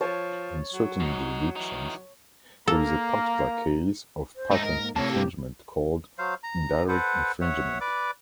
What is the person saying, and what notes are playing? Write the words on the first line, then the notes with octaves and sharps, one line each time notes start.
In certain jurisdictions, there is a particular case of patent infringement called indirect infringement.
F3 C#5 A5
F#3
G#2 D#4
E3 D#4
A#3 A4 A#5
C5
G#2 A3 D#4
A#4 D#5
A#3
A2 C3 A#3 A4 C#5 A5
G4
F#3 C5 F5
A#5
A4 B4 C5 F#5
C#5 E5 F#5
B4 D5 D6